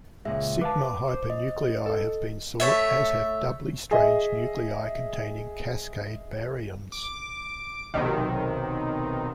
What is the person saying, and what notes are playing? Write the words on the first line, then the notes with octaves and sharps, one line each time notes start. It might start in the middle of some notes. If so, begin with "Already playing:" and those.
Sigma hypernuclei have been sought, as have doubly-strange nuclei containing Cascade baryons.
C#2 A#2 G#3 E5
B4 F5 A5 D6
C5
D#5
A4
A3 C#5 E5
G#4 D#5 E5
D6
B1 C3 D#3